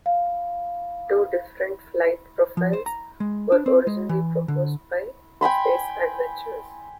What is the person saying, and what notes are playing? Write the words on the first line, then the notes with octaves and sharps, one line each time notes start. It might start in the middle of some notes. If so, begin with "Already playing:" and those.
Two different flight profiles were originally proposed by Space Adventures.
F5
F3
C5
A#5
G#3
D4
C4
G#3
E3
D3
G5 G#5 B5 C6